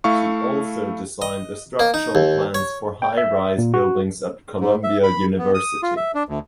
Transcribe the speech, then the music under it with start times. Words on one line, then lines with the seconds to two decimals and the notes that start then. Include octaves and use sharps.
She also designed the structural plans for high rise buildings at Columbia University.
0.04 A3 E4 F5 C#6
1.22 D#5
1.79 A#3
1.94 D#4
2.15 D#2
2.55 C#5
3.02 G5
3.18 E5
3.58 A#2
3.74 F#4
4.60 G#2
4.84 E5
5.03 B5
5.38 B3
5.54 D#6
5.83 F4
5.97 E5
6.15 D4
6.29 D2